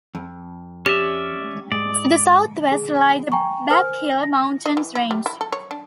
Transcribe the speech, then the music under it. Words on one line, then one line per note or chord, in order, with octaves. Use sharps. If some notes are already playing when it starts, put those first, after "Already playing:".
To the southwest lie the Black Hills mountain range.
F2
C#4 G4 D5 E5
G#2 D5
G#4
G5 G#5 A#5 C#6
A#4 C5 G#5 F6
A#6
D#5
E3
E4
G3
E4
A4
C#5
D4